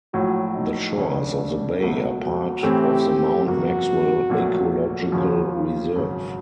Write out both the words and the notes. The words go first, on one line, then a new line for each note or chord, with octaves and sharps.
The shores of the bay are part of the Mount Maxwell Ecological Reserve.
A#1 A2 F#3 F#4
D#4
F1 D#2 C#3 D4
C#2 B2 F#3 A3 F#4
F#4
A2 E3 A3 C4 G4
G1 F2 C#3 F#3 A#3 F#4
A#1 A#2 F#3 A3
F#4
D#2 C#3 F3
F4
G#1 F#2 C#3 F#4